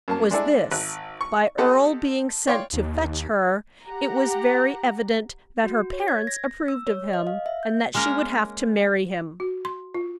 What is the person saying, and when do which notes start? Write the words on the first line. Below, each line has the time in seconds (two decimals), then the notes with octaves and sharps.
It was this: by Earle being sent to fetch her, it was very evident that her parents approved of him, and that she would have to marry him.
0.08 F#2 A#3 A5
0.31 G#3 D4 E4 G#4 A4 D5
0.71 G#1 F#6
1.21 C#6
1.58 C4 G4 A4 D#5 F#5
2.47 C#5 D5 F5 G5 C6
2.73 D#2
3.85 G4 F#5 A#5
5.64 F#4
5.93 C#5
6.08 G#6
6.27 A#6
6.68 E6
6.87 C#5
7.13 D#5
7.27 F5
7.46 E5
7.63 G6
7.94 G#3 A#3 C#4 A#4 D#5
9.40 F#4
9.65 C6
9.95 F4